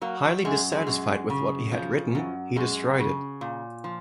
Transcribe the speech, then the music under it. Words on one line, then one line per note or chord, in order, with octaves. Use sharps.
Highly dissatisfied with what he had written, he destroyed it.
F#3 A#3
F#2 G#3
G#3
F#2
C#3
F3
F#2
F#2 G#3
C#3
A#2
F3